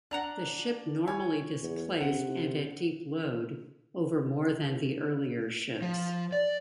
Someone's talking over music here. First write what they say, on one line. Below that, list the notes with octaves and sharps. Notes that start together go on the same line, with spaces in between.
The ship normally displaced and at deep load, over more than the earlier ships.
D4 F#5 A#5 F#6
C#5 G#5
E2
C3 F#5
F3
D5